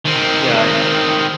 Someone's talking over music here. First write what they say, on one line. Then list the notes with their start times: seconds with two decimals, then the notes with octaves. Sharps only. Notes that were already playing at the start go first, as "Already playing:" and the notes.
Yeah, I
0.06 D#3 C4